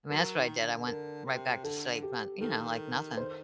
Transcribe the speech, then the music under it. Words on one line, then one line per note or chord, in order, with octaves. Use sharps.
I mean, that's what I did. I went right back to sleep and, you know, like nothing.
F#3 A#4
D#3
D3
D3 A#4
C3
D3 A4
G4
D#3 A4
D#3 C5